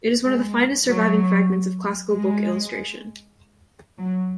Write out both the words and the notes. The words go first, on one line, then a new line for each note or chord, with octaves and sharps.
It is one of the finest surviving fragments of classical book illustration.
G#3
F#3
G#3
F#3